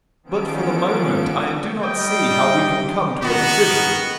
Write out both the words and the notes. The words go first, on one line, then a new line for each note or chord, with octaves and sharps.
But for the moment I do not see how we can come to a decision.
D#3 F3 B3 C#4 A4 D7
G3 D#5 G5
D#3 B3 F#4